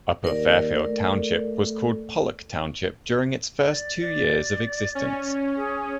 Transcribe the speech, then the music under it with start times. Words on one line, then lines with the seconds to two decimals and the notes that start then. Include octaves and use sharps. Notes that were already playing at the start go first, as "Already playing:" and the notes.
Upper Fairfield Township was called Pollock Township during its first two years of existence.
0.24 D#2 A#4 D5
0.87 A3
3.66 D5
4.00 D5
4.95 C#4
5.56 G#4